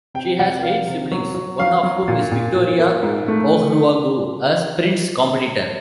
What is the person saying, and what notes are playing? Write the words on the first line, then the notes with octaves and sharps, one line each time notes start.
She has eight siblings, one of whom is Victoria Ohuruogu, a sprints competitor.
C3 G5
C3 F#5
F3 F5
C3
F#3
F#3
F#3 F5
F#3
A#2
A#2
A#2
A#3
G#2
A3